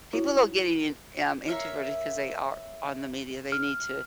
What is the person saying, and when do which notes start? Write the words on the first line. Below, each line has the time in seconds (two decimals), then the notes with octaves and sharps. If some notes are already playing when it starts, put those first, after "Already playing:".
People are getting in um, introverted 'cause they are on the media, they need to,
0.13 E4 F#4 C#5
1.48 A#4 C#5 E5 F5
3.52 F6